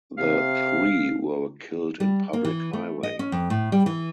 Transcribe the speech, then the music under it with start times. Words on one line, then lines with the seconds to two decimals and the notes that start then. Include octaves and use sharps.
The three were killed in public highway.
0.18 C3 F5
2.00 G3
2.33 A#3
2.45 E3
2.73 A3
3.03 D#5
3.19 C#4
3.32 F2
3.50 A2
3.72 G3
3.86 E3